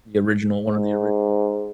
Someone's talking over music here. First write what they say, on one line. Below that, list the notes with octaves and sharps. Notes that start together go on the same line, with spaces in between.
The original, one of the original.
G#2